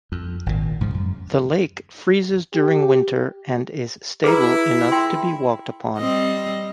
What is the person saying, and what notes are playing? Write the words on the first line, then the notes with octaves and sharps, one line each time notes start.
The lake freezes during winter and is stable enough to be walked upon.
F2
G#1 A#2
G#2 C#3 F3
F#2
G4
E4 G#4 B4 A#5
F4 G5 C6
G3 C4 D#5